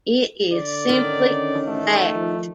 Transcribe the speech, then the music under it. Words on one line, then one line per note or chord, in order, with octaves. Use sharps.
It is simply a fact.
D3 D5
D#3 C#4
A1 A3
F3